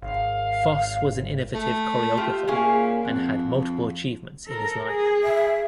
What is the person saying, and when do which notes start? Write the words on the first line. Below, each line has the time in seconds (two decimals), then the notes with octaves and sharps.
Fosse was an innovative choreographer and had multiple achievements in his life.
0.02 G#1 F5
1.54 A3
2.17 F4 G4 E5
2.48 A#2 C#4 G#4 F5
3.05 F2 F#5
4.46 A4 A#4
4.85 G#4
5.23 E5